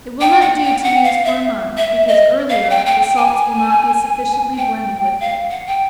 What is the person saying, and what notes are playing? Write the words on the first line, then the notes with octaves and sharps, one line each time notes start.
It will not do to use for a month, because earlier, the salts will not be sufficiently blended with it.
G5
F#5
G5
F#5
F5
E5
E5
D#5
F5
G5
G5
G5
G#5
G5
F5
F#5
G5